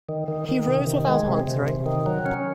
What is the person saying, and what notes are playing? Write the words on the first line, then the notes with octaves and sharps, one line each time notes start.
He rose without answering.
D#3
D#3
D#3
C3
D#3
G#3
C3
C3
C3
D#3
F#3
C#4